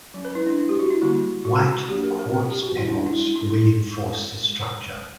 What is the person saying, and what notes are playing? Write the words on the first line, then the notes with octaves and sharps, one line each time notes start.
White quartz pebbles reinforce the structure.
F#3 C#4
B4
E4
D4
E4
G4
F#4
E4
D3 G3 A#3 F#4
F#4
F#3 A#3 D4 G4
A#4
A#4
A#4
G4
F#4
G3 C#4 E4
D4
E4
E4
E4
E4